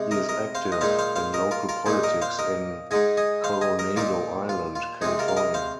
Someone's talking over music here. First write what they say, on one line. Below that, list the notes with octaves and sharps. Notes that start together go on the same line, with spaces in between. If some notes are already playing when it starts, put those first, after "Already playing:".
He is active in local politics in Coronado Island, California.
Already playing: C3 G#3 D#4
A#4 D#5
A#4 D#5
C5 F5
D#5
A#2 G#3 D#4 C5 F5
C5 F5
C5 F5
A#4 D#5
F4 A#4
F4 A#4
A#2 A#3 D#4 G#4 C5
A#4 D#5
C5 F5
A#4 D#5
G#2 G#3 D#4 D#5 G#5
D#5 G#5
C5 F5
D#5 G#5
A#4 D#5
A#2 A#3 D#4 F4 A#4
F4
F4
C3 G#3 C4 D#4 G#4
F4 A#4
F5
A#4 D#5
C5 F5